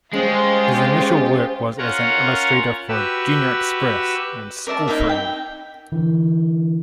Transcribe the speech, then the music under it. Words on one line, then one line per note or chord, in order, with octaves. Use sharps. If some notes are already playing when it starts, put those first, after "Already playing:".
His initial work was as an illustrator for "Junior Express" and "School Friend".
G#3 C#4 F4 G4 C5
C#4 F4 A#4 C#5 F#5 A#5
F#4 G4 B4 E6
A#4 D5 E5 A5
D#4 E4 E5 F5
G5
D3 E3